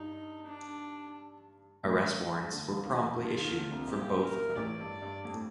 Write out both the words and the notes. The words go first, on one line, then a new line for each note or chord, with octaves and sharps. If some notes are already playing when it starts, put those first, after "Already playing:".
Arrest warrants were promptly issued for both of them.
Already playing: G2 D#4
D4
A1 A2
D2 D3
F2 F3
D#2 D#3
F2 F3
F2 F3 F4
D#2 D#3
D2 D3
C2 C3
A#1 A#2 G4
A#4
A1 A2 D5
G2
G2
F2
A2